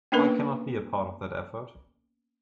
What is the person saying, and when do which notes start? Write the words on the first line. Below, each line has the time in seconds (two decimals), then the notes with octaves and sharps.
I cannot be a part of that effort.
0.12 A#3 B3 C#4 D4 A#4 B4